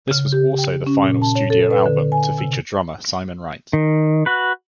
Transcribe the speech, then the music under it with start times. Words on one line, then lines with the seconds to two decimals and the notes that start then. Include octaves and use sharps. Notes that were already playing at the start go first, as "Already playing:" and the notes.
This was also the final studio album to feature drummer Simon Wright.
0.11 C#3
0.32 G4
0.58 G5
0.86 C#4
1.03 A#2
1.22 A5
1.35 C#5
1.50 A4
1.71 B4
1.86 D3
2.12 G#5
2.38 C3
3.73 D#3
4.26 F#4 B4